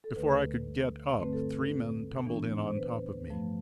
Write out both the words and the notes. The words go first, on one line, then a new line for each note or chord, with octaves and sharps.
Before I could get up three men tumbled in on top of me.
A4
D2 D3 A3 B4
G2 D3 A3 C4 B4
A4
A4
A2 E3 B3 D4
C5
B4
G2 F3 A3